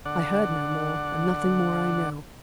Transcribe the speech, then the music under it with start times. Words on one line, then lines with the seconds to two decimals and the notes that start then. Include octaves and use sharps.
I heard no more, and nothing more I know.
0.05 D3 D5 F#5